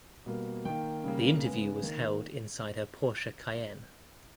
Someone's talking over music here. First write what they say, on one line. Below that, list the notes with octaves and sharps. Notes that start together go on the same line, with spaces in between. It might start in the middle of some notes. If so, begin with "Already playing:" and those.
The interview was held inside her Porsche Cayenne.
B2 G3 A#3
D#3 A#3 G5
C#3 G3 A#3
C#3 G#3 B3
D#3 A#3